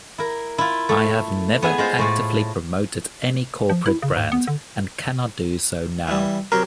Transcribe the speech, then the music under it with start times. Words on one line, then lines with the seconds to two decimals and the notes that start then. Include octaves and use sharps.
I have never actively promoted any corporate brand, and cannot do so now.
0.18 E4 A#4
0.58 E4 F4
0.89 A3
1.62 B3 G#4 E5 G#5
1.78 G#3 F4 C5
1.99 A2 A3
3.70 F3
3.86 E4
4.02 C#3
4.16 G#2
4.32 B3
4.47 D3
6.08 E3 G3
6.52 F#3 C4 G4 A#4